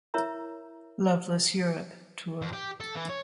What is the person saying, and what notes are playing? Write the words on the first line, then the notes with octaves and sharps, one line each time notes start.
Loveless Europe Tour.
E4 A#4 C#5 E5 A#5
F2
G4
A4
E3
C#5